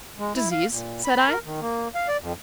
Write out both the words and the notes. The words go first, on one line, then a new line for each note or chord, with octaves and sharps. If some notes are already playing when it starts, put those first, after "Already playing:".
"Disease?" said I.
G#3
E4
F5
A#2
B5
A#4
D#3
A#3
F5
D5
F2